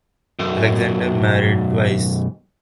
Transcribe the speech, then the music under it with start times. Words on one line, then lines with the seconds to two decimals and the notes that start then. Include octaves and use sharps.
Alexander married twice.
0.39 B1 F#2